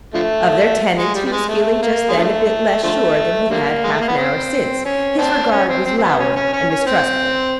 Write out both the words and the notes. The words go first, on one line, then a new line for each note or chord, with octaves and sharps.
Of their tenant he was feeling just then a bit less sure than he had half-an-hour since; his regard was louring and mistrustful.
D3 F3 A3
G#3
G3
G3
G#3
A3
A#3
G#3
D3 F3 A3
D3 F3 A3
D3 G3 A#3
G#3
A3
A#3
B3
C4
C#4
C4 D4
C#4
C4
C4
C4
B3
C#4
C#4
C#4
C#4
C4